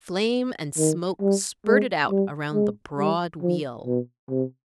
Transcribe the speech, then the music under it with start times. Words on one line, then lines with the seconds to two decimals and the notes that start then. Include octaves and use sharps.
Flame and smoke spurted out around the broad wheel.
0.78 D#3
1.21 G3
1.66 G#3
2.10 G3
2.54 G#3
2.98 G3
3.42 F3
3.86 B2
4.30 C3